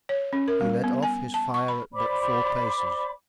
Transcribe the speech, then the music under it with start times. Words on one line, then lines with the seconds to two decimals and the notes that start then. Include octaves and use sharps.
He let off his fire at but four paces.
0.09 C#5
0.33 C#4
0.48 A#4
0.61 G3
0.84 B3
1.03 G#5
1.34 A5
1.54 C#6
1.68 B5
1.94 C5 D5 B5 D6